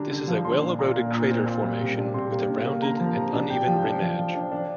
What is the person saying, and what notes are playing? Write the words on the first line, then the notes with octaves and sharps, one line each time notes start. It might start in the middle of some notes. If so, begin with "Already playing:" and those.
This is a well-eroded crater formation, with a rounded and uneven rim edge.
Already playing: D3 G3 D4 A#5
D3
F3
A#2 C6
D4
A#2 A#5
A#3
A#2
C4
A#2
G3
C3
D4
C3 C6
A#3
D4
A#3
D3 A#5
F3
C3
D4
C3 G5
F3
D4
F3
F3
D4
D4